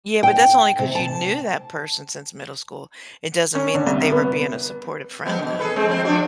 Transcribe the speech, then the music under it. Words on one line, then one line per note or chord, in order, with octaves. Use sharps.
Yeah, but that's only because you knew that person since middle school. It doesn't mean that they were being a supportive friend though.
G5
C3
A5
C#4
D3
C2
B3
F2 B3 C4
F#2 B2
G#4 A4 B4
G#3 C4
F2 C4 C5
F3 D4 F#4